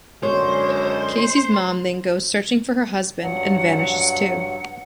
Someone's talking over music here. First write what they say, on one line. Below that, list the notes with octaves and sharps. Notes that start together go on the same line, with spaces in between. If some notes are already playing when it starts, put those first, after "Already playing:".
Casey's mom then goes searching for her husband and vanishes, too.
F#2 D3 G#3 C5 C#5
G2 F#3 F#5